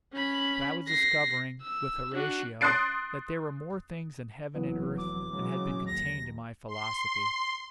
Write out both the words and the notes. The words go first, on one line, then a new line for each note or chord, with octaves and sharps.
But I was discovering, with Horatio, that there were more things in heaven and earth than had been contained in my philosophy.
C#4 B5
A#6 C7
E6
D4 F#4
C6 D#6 F#6 A6 C7 D7
F1 E3 F#3 B3
D6
C#3 F#3 G#3
D#2 A#6
C6